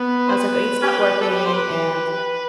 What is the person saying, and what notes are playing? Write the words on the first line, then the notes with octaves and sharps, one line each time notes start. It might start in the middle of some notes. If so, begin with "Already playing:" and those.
I was like, "Uh it's not working," and,
Already playing: B3 B4
C5
B4
G4
A4
G4 B4
C5
B4